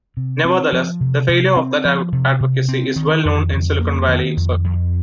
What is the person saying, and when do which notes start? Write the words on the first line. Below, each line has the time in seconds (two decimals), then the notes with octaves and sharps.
Nevertheless, the failure of that advocacy is well known in Silicon Valley circles.
0.17 C3
0.45 C4
0.73 F3
1.00 C3
1.28 C3
1.56 C4
1.85 F3
2.13 C3
2.40 C3
2.68 C4
2.96 D#3
3.25 F2
3.53 F2
3.80 A#3
4.08 D#3
4.37 F2
4.64 F2